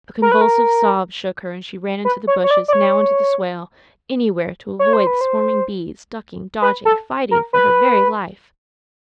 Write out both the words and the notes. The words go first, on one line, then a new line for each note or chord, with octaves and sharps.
A convulsive sob shook her, and she ran into the bushes, now into the swale, anywhere to avoid the swarming bees, ducking, dodging, fighting for her very life.
A#4
B4
A#4
B4
C#5
C#5
D5
D5
C#5
C#5
C5
B4
C5
B4
A4
A#4
B4